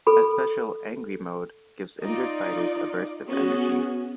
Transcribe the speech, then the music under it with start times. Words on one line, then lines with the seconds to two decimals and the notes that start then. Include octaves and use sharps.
A special "Angry Mode" gives injured fighters a burst of energy.
0.07 A4 B5
2.01 D#4 F4 D5
3.28 B3 C#4 F#4 G#4